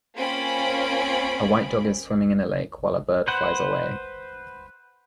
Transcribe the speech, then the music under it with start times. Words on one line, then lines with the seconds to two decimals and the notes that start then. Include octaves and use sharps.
A white dog is swimming in a lake while a bird flies away.
0.16 A#3 C4 C#4 F4 B5 D7
3.28 B4 C5 F#5